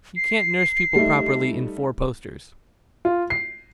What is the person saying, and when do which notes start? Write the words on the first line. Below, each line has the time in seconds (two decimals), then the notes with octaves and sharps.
You can't nurse people properly in four-posters.
0.16 C7
0.96 G3 A3 D#4
3.05 F4
3.30 C7